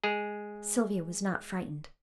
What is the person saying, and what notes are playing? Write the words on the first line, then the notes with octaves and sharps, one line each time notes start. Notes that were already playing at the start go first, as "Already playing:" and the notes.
Sylvia was not frightened.
G#3 G#4